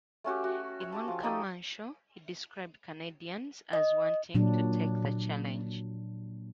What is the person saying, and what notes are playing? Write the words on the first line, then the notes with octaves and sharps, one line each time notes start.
In one commercial, he described Canadians as wanting to take the challenge.
A3 C#4 F#4 G4
F#4
C#5 E5
G4 A5
F3
D#4 G4 A4 D#5
D#5
A#2 F#3 D4